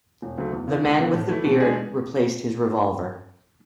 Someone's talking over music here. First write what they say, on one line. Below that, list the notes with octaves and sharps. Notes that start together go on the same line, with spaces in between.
The man with the beard replaced his revolver.
E1
D2 C#3 F#3 A3
E2
C#3 E3
C#2
C#3 E3 B3 E4
A2
E3 A3 E4
B2
G#3 D4 G#4